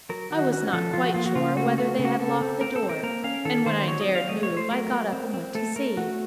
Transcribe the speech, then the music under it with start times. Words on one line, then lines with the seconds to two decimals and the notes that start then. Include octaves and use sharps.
I was not quite sure whether they had locked the door; and when I dared move, I got up and went to see.
0.09 F#3 A#4
0.30 D#3 F#4
0.52 C#4 F#4
0.67 F#4
0.73 F3 A4
0.93 F3 F4
1.04 F#4
1.14 A#3 F4
1.26 F#4
1.35 C#3 F4
1.57 A3 F#4
1.78 A3 F#4
1.99 C#3
2.05 F#4
2.19 C4 A4
2.41 C4
2.61 C4 A#4
2.76 A4
2.83 C4
2.90 A#4
3.03 A#3 A#4
3.24 C#4 F5
3.45 D#3 A4
3.66 D#3 C5
3.87 F#3 C#5
4.01 D#5
4.08 C4
4.15 F5
4.29 A3 D#5
4.43 C#5
4.50 A3
4.57 C5
4.71 F#3 A#4
4.92 F#3
5.13 C4
5.34 C4
5.55 A3 A4
5.76 A3 A#4
5.97 A3 F#4